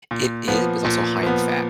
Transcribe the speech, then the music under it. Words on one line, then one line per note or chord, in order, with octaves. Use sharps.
It is, but it’s also high in fat.
A#2
F3 B3
A#2
F3 B3